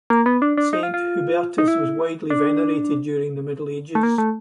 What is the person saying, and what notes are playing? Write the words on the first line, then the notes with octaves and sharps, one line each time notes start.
Saint Hubertus was widely venerated during the Middle Ages.
A#3
B3
D4
D4
D#4
F4
F4
D#4
E4
D4
A3
A#3
A3